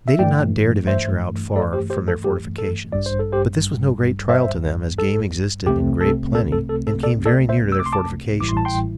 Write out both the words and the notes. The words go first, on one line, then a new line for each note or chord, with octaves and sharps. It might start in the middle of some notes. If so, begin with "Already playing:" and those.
They did not dare to venture out far from their fortifications; but, this was no great trial to them, as game existed in great plenty and came very near their fortifications.
E5
G2 E3 A3 D5 G5
C5 E5
A4 D5
G4 C5
G4 C5
A4
G4
A4
A1 G2 G3 D5
C5
A4
G4 C5
C5 E5
A4
C2 C3 A3 C4 G4
A4
A4
A4
A4
A4
A4 D5
A4 D5
C5 E5
E6
D6
C6
A5 D6
A1 A2 E3 G3 E4 D6
C6
A5
G5 C6